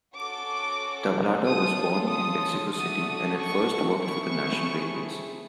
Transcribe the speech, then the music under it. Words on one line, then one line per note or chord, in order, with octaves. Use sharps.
Tablada was born in Mexico City and at first worked for the national railways.
C#4 F#4 A4 D6
C#4 F4 A4 D#6
D#6
A3 D4 F#4 A4 D#6
C#6
A3 C4 E4 G#4 C#6